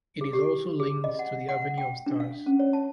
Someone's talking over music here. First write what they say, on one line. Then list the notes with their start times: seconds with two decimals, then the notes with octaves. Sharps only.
It is also linked to the Avenue of Stars.
0.21 G#4
0.33 G4
0.80 G#4
1.04 D#5
1.19 F#5
1.49 F#5
1.78 G5
2.06 D4
2.20 F5
2.46 C#4
2.59 C#5
2.73 A5